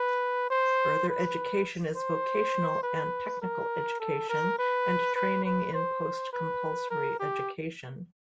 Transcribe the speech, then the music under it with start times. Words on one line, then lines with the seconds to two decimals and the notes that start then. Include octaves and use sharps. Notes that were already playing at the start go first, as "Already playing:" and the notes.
Further education is vocational and technical education and training in post-compulsory education.
Already playing: B4
0.50 C5
1.09 B4
1.96 C5
2.83 B4
3.42 A#4
4.00 A4
4.29 A#4
4.59 B4
5.16 B4
5.45 B4
5.74 C5
6.33 B4
6.90 A#4
7.19 G4